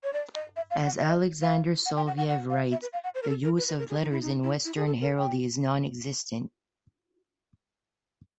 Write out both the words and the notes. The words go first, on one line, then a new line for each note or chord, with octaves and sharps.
As Alexander Soloviev writes, the use of letters in western heraldry is nonexistent.
C#5
D5
D#5
E5
F5
F#5
D#5
F5
F#5
G5
F#5
F#5
F#5
F5
E5
B4
F5
F#5
C5
A#4
A4
A#4
B4
B4
A#4
G#4
D#4
E4
D#4
E4
E4
G#4
A4
A#4
G5